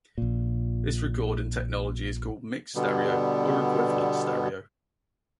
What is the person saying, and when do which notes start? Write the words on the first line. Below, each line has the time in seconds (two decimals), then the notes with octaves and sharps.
This recording technology is called mixed stereo or equivalence stereo.
0.18 A#1 A#2
2.75 B2 D3 G3 B3